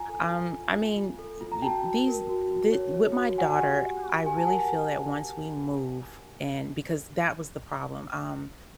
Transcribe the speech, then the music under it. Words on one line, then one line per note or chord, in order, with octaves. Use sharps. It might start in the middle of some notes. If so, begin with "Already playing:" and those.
Um, I mean, e e eh these d the with my daughter, I really feel that once we move and because that was the problem, um,
Already playing: F4 G#5 A#5
A4
F4
F4
F4
F4
A4
F4
A#5
F#4 G5 A5
F#4
A#4
F#4
F#4
C#5
C#5
F#4
G4 F#5 G#5
G4
G4
G4
G4 G#5
A5
A#4 F#5 G#5
G4